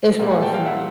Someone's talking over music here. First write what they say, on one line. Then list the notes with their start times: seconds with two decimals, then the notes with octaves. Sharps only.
It's for a foodie,
0.19 A#2 G3 A#3
0.30 F#5 G#5
0.42 G5 A5
0.54 F5 G5
0.65 E5 F#5